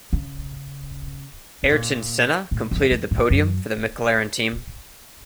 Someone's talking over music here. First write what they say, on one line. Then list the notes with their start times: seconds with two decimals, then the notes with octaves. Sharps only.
Ayrton Senna completed the podium for the McLaren team.
0.13 C#3
1.63 C3
1.72 A#2
2.51 A2
2.71 F2
2.91 F2
3.11 A2
3.30 F#2